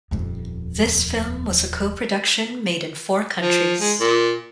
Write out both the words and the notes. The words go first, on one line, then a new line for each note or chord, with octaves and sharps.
This film was a co-production made in four countries.
D#1 F2
F3
G#3
A#2